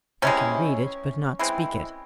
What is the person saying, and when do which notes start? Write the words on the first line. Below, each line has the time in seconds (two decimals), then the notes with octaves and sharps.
"I can read it, but not speak it."
0.22 C3 E3 G#3 C#4
1.39 E3 G#3 C4